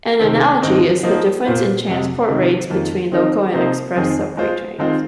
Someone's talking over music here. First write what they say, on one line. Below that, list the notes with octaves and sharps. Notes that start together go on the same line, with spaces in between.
An analogy is the difference in transport rates between local and express subway trains.
C3 D#3 C4
G#2 D#3 C4 D#4
F3 A#3 D#4 C5
A#2 A#3 F4 C5
F2 C3 G#3
C3 D#3 G#3
F2 D#3 A#3 F4
D#3 C4 D#4 A#4
C3 F3 A#3 D#4 C5
F2 D#3 C4 G#4
G#3 F4 C5
D#3 G#3 C4 F4 C5